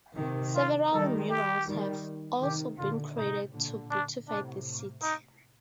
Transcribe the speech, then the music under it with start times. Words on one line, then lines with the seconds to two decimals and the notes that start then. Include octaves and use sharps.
Several murals have also been created to beautify the city.
0.18 C3 D#3
0.55 F4
0.92 D#3 G3 A4
1.30 G4
1.68 D#3 G3
2.41 C3 D#3 G4
2.78 A#2 D3 F4
3.16 A2 C3 D#4
3.54 A#2 D3
3.91 D4
4.27 A2 C3 D4
5.03 D#4